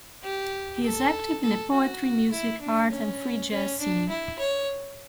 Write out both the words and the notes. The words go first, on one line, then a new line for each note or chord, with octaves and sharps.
He is active in the poetry, music, art, and free jazz scene.
G4
A4
A4
F#4
E4
D4
C#4
C#4
D4
E4
C#5